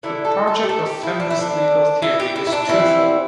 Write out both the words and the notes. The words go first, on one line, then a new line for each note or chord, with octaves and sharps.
The project of feminist legal theory is twofold.
D3 A3 D4 E4
A4
A4
G4
A4
G4
E4
D4
E4
D3 C4 D4
E4
G4
E4
E4
D4
E3 G3 C4 E4